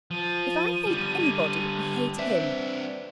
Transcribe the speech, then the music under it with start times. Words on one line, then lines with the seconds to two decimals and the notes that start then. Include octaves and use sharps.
If I hate anybody, I hate him.
0.11 F3 D#7
0.86 D3 G3
2.18 C4 D4 B4 C5 E5